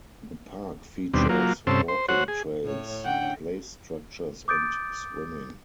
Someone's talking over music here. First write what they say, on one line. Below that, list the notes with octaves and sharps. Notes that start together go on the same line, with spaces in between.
The park features walking trails, play structures and swimming.
D#2 B2 G3 C4 D4
F#3 A#3 F4
G2 C3 C#4 A4 C5 E6
C5
F#4 C5 C#5 F#5
G#4
A2 C#5
D3 C#4 D4 F#5 G5
D6 D#6 G6 A6 D7